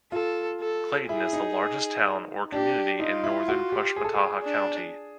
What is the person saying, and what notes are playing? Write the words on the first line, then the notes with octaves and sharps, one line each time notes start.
Clayton is the largest town or community in northern Pushmataha County.
F4 A4
A4
E4 G#4
D#4
D4 G4
D#4 F4
E4
F#4
G4
G#4
A4
G#4
D4